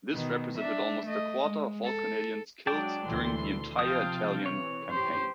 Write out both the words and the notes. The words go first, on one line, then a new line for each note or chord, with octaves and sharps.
This represented almost a quarter of all Canadians killed during the entire Italian Campaign.
B2 D#3
D4 E5
A3 D#5
G#3
A4
F#3 G#3 D4 D5 G5 A5
D2 B2 E3 A4 C6
C3 F3 F5 G5 A5 D#6
E3 C#5
G4 C5